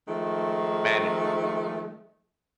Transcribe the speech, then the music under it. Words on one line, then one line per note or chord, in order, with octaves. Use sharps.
humanity more than anything
D#3 F3 G#3 A3